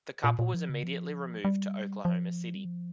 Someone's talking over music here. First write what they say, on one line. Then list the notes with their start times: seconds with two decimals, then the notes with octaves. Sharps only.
The couple was immediately removed to Oklahoma City.
0.24 A#2
0.39 A#2
0.54 F3
0.69 C#3
0.84 F3
1.45 G3
2.05 F3
2.55 G3
2.65 F3